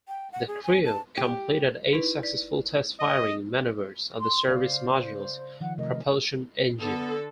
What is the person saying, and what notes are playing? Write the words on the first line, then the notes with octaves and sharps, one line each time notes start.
The crew completed eight successful test firing maneuvers of the Service Module's propulsion engine.
G5
F#5
G#4
G#5
A5
G4
D#4 E4 B4
D5
D#5
C6
C#3 C5 D5 F5
D#3 F3 F#5
C3 A3 A#4 D#5
D3 B3 A4